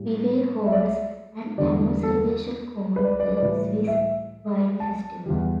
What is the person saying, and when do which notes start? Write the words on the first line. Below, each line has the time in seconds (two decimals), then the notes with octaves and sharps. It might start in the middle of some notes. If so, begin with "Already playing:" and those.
Vevay holds an annual celebration called the Swiss Wine Festival.
Already playing: A2 G3
0.66 E5
0.72 D5
0.80 E5
1.58 E2 D3 G3 D5
2.03 A4
2.96 B4
3.04 D5
3.12 B4
3.20 D5
3.28 B4
3.37 D5
3.42 A2 E3 G3 B4
3.87 E5
4.80 A5
5.26 E2 E3 G3